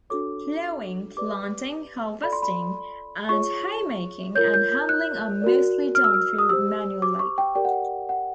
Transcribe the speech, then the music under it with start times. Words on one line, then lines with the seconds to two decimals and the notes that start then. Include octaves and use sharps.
Ploughing, planting, harvesting, and hay making and handling are mostly done through manual labour.
0.10 D4 F#4 A4 C#5 D6
1.16 G4 B4 D5 D6
2.23 F4 A4 D5 B5
2.33 C6
2.42 B5
3.29 F4 G#4 C#5 C#6
4.35 F4 A#4 C#5 G6
4.54 G6
4.72 G6
4.89 F#6
5.42 F#4 A#4 D5
5.95 F6
6.04 E6
6.14 F6
6.39 D#6
6.49 G4 C5 E6
7.02 D6
7.19 C#6
7.38 G5
7.55 G4 A#4 D5 G5
7.65 F#5
7.72 G5
8.09 F#5